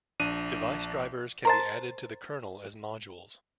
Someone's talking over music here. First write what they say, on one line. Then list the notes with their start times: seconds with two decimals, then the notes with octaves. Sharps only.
Device drivers can be added to the kernel as modules.
0.20 A#1 D4 D#7
1.45 A#4 C5 A5